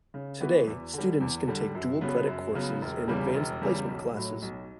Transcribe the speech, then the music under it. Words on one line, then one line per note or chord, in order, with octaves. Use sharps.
Today, students can take Dual-credit courses and Advanced Placement classes.
C#3
E3 B3 F#4 B4
E2
D3 G3
E2
D3 G3
F#2
C#3 F#3 B3
F#2
C#3 F#3 B3
E1
E2 C#3 G3
E1
E2 C#3 G3
B1
A2 F#3
B1